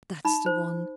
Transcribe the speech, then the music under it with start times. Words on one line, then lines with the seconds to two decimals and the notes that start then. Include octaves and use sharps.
That's the one.
0.25 D#4 B5
0.46 C5